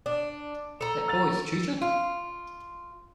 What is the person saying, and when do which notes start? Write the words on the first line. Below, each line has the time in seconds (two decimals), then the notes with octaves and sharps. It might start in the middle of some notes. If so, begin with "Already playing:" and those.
That boy's tutor?
0.06 D4
0.81 A4 A#5
1.08 E6 A6 F7
1.82 F4